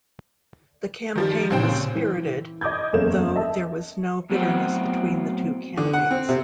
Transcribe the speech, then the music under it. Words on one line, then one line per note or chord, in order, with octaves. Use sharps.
The campaign was "spirited," though there was no bitterness between the two candidates.
D#3 F3 G3
D#2 A#2 C#3 C4 G5
E3
D#5 D6 D#6 G6 G#6
F#1 E2 A#3 C#4 E5 E7
D#5 E5 A5
A2 F#3 A3 B3 C4 F#4
D3
F#5
C4
C3